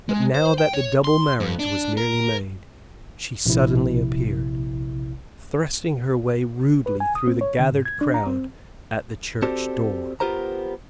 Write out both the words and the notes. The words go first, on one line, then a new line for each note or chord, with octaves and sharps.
But now that the double marriage was nearly made she suddenly appeared, thrusting her way rudely through the gathered crowd at the church door.
G#3
C5
G5
C#5
C6
F2
D4
A#4
A#1 C3 E4
B4
G#5
D#6
C4
C#5
D3
G#2
G#6
D4
A#5
C4
C4 F#4 G4 A4 C5 D5
B3 F4 G4 A#4 C5 A#5